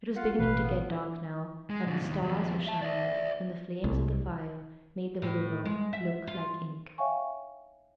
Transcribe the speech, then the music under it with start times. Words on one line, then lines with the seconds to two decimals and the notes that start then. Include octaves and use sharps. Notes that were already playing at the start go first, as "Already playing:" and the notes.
It was beginning to get dark now, and the stars were shining, and the flames of the fire made the river look like ink.
0.16 F4 F5 F#5
0.39 A1 B2 E3 B4 F5
0.62 B3
0.85 A#2 D3
1.70 G#3
1.87 D3 F#3
2.02 D#2 D#3
2.22 D#2 F3
2.67 E5 A5
2.82 D5 E5
3.84 C2
5.22 A2
5.65 G#3
5.93 E5
6.27 F4
6.98 C#5 E5 F5 G5 G#5 C#6